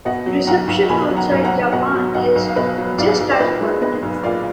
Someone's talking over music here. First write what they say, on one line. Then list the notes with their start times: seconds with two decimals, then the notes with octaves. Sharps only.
Reception outside Japan is just as positive.
0.05 B2 D#5 F#5
0.26 F#3
0.47 B1 F#5 A#5
0.68 B1
0.89 B2 G#5 B5
1.10 F#3
1.16 F#5 A#5
1.31 B1
1.45 F#5 A#5
1.52 B1
1.72 B2 D#5 F#5
1.94 F#3
2.14 B1 D#5 F#5
2.35 B1
2.48 F5
2.56 B2 B4 D#5
2.77 F#3
2.98 B1 D5 F5
3.19 B1
3.31 D5
3.39 A#2 B4 D#5
3.61 G#3
3.81 B3 B4 D#5
4.02 B1
4.23 A#2 D5 F5